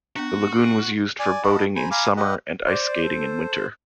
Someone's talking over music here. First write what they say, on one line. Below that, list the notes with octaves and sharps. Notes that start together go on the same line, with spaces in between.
The lagoon was used for boating in summer and ice skating in winter.
B3 D4 F#4
D5 G#5
D#5 F#5 A5 B5
C5 G#5 A#5 B5
F5 G#5 A#5 B5 D6
G4 B4 D#5 F#5
C5 D5
A4